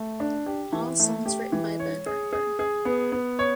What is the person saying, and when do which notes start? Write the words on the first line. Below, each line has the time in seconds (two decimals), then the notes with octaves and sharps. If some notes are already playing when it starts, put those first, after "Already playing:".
All songs written by Ben Harper.
Already playing: A3
0.20 D4
0.46 G4
0.73 E3
1.00 A3
1.26 G4
1.52 E3
1.80 C#5
2.06 G#4
2.33 G#4
2.59 G#4
2.85 B3
3.12 B3
3.39 C#5